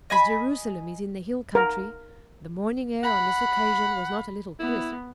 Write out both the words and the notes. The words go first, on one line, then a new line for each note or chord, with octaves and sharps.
As Jerusalem is in the hill country, the morning air on this occasion was not a little crisp.
D#5 G#5 B5
A#4
F#5 B5
B3 E4